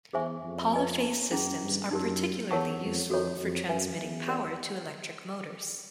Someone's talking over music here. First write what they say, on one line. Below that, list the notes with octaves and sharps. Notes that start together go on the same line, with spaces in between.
Polyphase systems are particularly useful for transmitting power to electric motors.
E2 G#4 C5 E5 G#5 C#6
F2
B4 D#5 G#5 B5
F#2 C#4 E4 G#4
G2
F#2 D#4 G4 A#4
E2 A#4 C#5 F#5 A5 C#6
F2
F2 F#4 A4 C#5
F2
F#2 B4 E5 G#5
E2
G4 A#4 D5 F#5